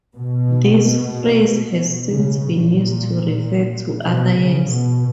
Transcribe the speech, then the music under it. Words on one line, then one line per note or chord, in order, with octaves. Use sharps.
This phrase has since been used to refer to other years.
B2
C#3
A#2
B2
C#3
B2